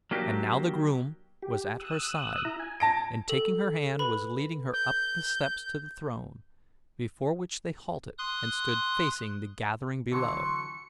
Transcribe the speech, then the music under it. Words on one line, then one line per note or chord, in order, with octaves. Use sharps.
And now the groom was at her side and taking her hand was leading her up the steps to the throne, before which they halted and stood facing the gathering below.
F#3 A#3 D4 G4
G4
D#6 E6 F#6
E4 A#5
G#5
A5 A#6 D7
A4
B4 B5
G6
C6 D#6 F#6
D3 E3 F#3 C6 C#6 C#7